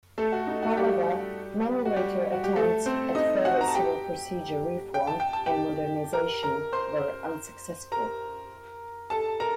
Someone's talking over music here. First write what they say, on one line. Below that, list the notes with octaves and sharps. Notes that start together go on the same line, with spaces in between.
However, many later attempts at further civil procedure reform and modernization were unsuccessful.
A3 A4
F#4
D#4
F#4
G3 G4
F#4
G3 G4
F#4
G4
A3 A4
C4 C5
D#4 D#5
F#4 F#5
A#5
A5
G4 G5
G5
A5
G5
A5
G4 G5
A#4 A#5
A#4 A#5
C5 C6
A#4 A#5
A4 A5
A#4 A#5